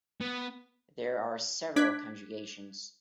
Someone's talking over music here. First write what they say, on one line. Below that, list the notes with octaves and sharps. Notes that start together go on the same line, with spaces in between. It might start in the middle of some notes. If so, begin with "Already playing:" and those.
There are several conjugations.
B3
D4 D6 F#6 G#6 B6